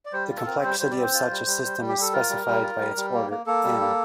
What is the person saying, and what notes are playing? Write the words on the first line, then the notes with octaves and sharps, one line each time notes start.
The complexity of such a system is specified by its order "N".
D5
G3 C5
F4
A4
C4 A#4
G3 C5
G3 C5
D5
C4
C5
F4
G3
G3
G3
G3
G4
G3 A4
F4 A#4
G3
G3
F4
G3
G3
A#3
A#3
A#3 A4
G3
A#3